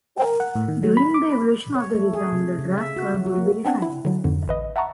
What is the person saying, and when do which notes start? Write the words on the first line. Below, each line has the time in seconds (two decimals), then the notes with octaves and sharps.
During the evolution of the design the drag curve will be refined.
0.22 A#4
0.40 F#5
0.55 A2
0.68 D#3
0.83 F#3
0.97 B5
1.14 D6
1.32 B5
1.75 C#5
1.95 A3
2.13 G#4
2.32 C3
2.59 C#3
2.78 E5
2.96 F#4
3.15 F#3
3.26 F#4
3.38 A#3
3.65 B3 C4 D4 F#5
3.82 E4
4.05 D3 F#3
4.24 F2 G#2 D3
4.48 A1 B4 D#5
4.76 E5 F#5 A5 A#5 C#6